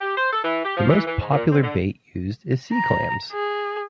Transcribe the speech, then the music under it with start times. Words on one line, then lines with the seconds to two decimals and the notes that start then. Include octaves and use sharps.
The most popular bait used is sea clams.
0.01 G4
0.17 C5
0.33 A4
0.44 E3
0.65 G4
0.77 F3
0.89 E3
1.07 E3
1.20 G#2
1.32 A#2
1.52 C4
1.63 D3
2.73 A#5
3.32 G#4